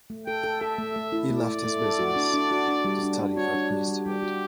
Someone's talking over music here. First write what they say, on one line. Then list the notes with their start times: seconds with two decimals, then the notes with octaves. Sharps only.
He left his business, to study for the priesthood.
0.10 A3
0.27 A4 G5
0.44 A4
0.61 A4 E5
0.78 A3
0.96 A3
1.12 E4
1.30 A3 D5
1.48 A3
1.64 A3
1.82 A4
1.99 F#4
2.16 D4
2.34 D4
2.51 F#4
2.68 D4
2.85 G3
3.03 D4
3.19 D4
3.37 F#4 C#5
3.54 D4
3.71 G3
3.88 G3
4.05 G3 G4
4.22 F#4